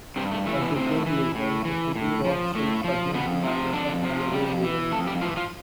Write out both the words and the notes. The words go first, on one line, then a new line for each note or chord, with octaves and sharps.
A decade later the city was still struggling to manage the Halloween event.
G2 C3 C4
A3
E3 A3
B2 B3
A2 C3 C4
E3
A2
E3
A2
F3
A2 A3
F3
F2 B2 B3
C3 F3
F2 D3 D4
C3 F3
F2 G3 G4
E3
F2 A3 A4
G3 G4
E3 F3 F4
F3 F4